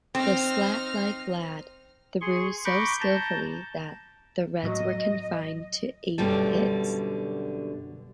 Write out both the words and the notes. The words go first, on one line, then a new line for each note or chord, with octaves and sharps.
The slat-like lad threw so skillfully that...the Reds were confined to eight hits.
C4 D#4 F6
G#4 C6 C#6
A#5 B5 C#6 D6 F#6 G6
A5 A#5 G6
A2 F#3 D#5
F#2 B2 D3 G3 A5